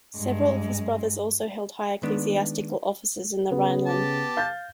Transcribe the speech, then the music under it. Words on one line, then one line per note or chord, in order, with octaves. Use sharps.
Several of his brothers also held high ecclesiastical offices in the Rhineland.
G2 G#3
D#3 G#3 B3 D4
C#3 B3
G4 A5
F5 G6 A6